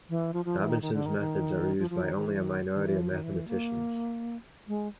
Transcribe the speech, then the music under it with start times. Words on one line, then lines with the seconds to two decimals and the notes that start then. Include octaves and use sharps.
Robinson's methods are used by only a minority of mathematicians.
0.09 E3
0.34 F3
0.45 F3
0.58 E3
0.70 D#3
0.82 D#3
0.94 D3
1.06 D#3
1.19 D#3
1.79 F3
1.90 F3
2.03 D#3
2.15 D#3
2.27 E3
2.43 D#3
2.74 D#3
2.86 E3
2.99 F3
3.11 D#3
3.23 E3
3.48 A#3
4.68 G#3